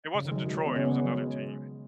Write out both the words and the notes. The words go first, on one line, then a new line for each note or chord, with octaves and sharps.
It wasn't Detroit, it was another team.
C#3
D#3
G#3
F#3
F#3
G#3
B3
C#3 C#4
B3
G#3
F#3
G#3